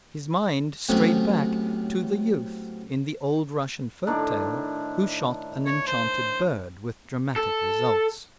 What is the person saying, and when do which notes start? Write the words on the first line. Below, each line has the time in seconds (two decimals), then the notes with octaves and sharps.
His mind strayed back to the youth in the old Russian folk-tale who shot an enchanted bird with dramatic results.
0.89 A2 C3 F#3 B3 C#4
4.07 A2 D#3 D4
5.66 C#5
5.87 C5
7.36 A4